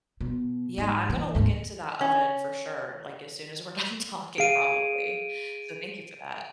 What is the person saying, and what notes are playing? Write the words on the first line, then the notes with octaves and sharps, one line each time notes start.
Yeah, I'm gonna look into that oven for sure, like, as soon as we're done talking, probably, so thank you for that.
B2
G#2
E3
D2 G#2
C#4
G#4 F5 D7 D#7